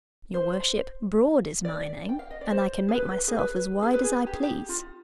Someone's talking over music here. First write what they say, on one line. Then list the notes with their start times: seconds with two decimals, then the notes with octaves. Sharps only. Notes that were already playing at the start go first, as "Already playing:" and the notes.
'Your worship, Broad is my name, and I can make myself as wide as I please.'
0.34 C5
1.65 D5
2.09 G5
2.19 F5
2.31 D#5
2.41 D5
2.52 C5
2.89 G#4
2.95 B4
3.28 G#4
3.39 B4
3.82 G#4
3.94 B4
4.04 G#4
4.27 G4
4.34 G#4
4.43 G4
4.69 F4